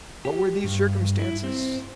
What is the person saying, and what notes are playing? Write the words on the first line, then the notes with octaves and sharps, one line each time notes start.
What were these circumstances?
G4
G2
E4
C4